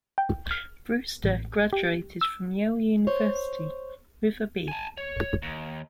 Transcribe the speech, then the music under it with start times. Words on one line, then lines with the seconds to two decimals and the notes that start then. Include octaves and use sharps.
Brewster graduated from Yale University with a B.
0.18 G5
0.51 F6
1.24 A1
1.73 G4
2.21 E6
3.07 C5 C#5
4.68 G#5 A5
4.97 C#5
5.42 D#2